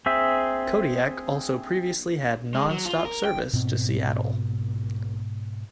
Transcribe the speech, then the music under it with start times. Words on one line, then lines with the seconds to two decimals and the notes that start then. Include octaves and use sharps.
Kodiak also previously had nonstop service to Seattle.
0.06 C4 G#4 E5
2.54 G#3
2.70 F#3
2.85 F4
3.05 A#4
3.25 G5
3.53 G#2 B2 C4